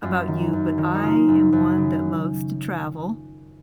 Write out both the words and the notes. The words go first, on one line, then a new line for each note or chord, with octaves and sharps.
about you, but I am one that loves to travel
F#2 F4
D#3
F#2
D#3
D#4
C#3 F4
F#2
F#2
C#3